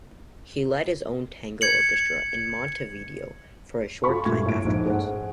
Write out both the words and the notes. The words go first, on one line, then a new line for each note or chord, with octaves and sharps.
He led his own tango orchestra in Montevideo for a short time afterwards.
G#6 C#7 F#7
F4 F#4 A4 B5 C#6
G2 A#2 A3 C#6 G#6
A2 E5 D7
A#1 G#2
G#4 C5 F#5